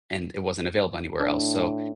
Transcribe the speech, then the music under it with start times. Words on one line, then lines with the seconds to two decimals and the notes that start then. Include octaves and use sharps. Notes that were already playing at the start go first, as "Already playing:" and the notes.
and it wasn't available anywhere else. So,
1.20 A2 D4